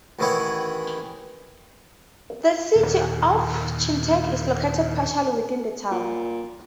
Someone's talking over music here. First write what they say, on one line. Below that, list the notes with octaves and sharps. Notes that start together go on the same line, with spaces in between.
The City of Chetek is located partially within the town.
A1 D#3 E3 E4 C#5 F#5
D#2 A#2
A#2